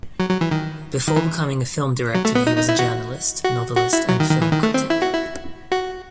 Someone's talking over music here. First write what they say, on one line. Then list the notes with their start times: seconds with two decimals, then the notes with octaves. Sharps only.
Before becoming a film director he was a journalist, novelist and film critic.
0.20 F#3
0.30 F#3
0.41 E3
0.51 D#3
1.08 D#3
1.16 E3
2.15 F#3
2.25 A3
2.35 B3
2.47 D#4
2.58 D#4
2.69 E4
2.79 F#4
3.44 F#4
3.77 F#4
3.93 E4
4.09 F#3
4.20 D#3
4.31 D#3
4.41 E3
4.53 D#3
4.63 A3
4.74 C4
4.90 E4
5.02 F#4
5.13 E4
5.72 F#4